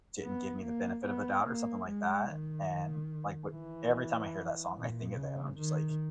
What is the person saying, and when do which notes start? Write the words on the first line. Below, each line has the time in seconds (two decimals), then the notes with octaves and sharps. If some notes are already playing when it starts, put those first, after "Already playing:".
didn't give me the benefit of a doubt or something like that. And, like but every time I hear that song, I think of them, I'm just like,
0.23 B3
0.63 A#3
1.05 B3
1.46 A#3
1.87 G#3
2.28 D#3
3.52 E3
4.76 A#2
5.16 C#3
5.58 D#3